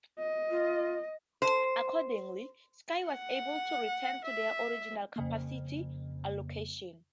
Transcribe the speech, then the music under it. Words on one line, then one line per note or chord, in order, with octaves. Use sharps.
Accordingly, Sky was able to return to their original capacity allocation.
D#5
F4
C5
F#5
E5
F2 C#3 A#3